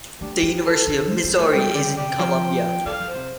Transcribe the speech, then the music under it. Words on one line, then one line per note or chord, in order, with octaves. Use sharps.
The University of Missouri is in Columbia.
A3 D4 G4
G3
A4
D3
A3 C5
G3
A3
G3 G5
F3
D3 D5 G5
C3 D5 G5
F3
G3 A4 D5 F5
F3
C5
C3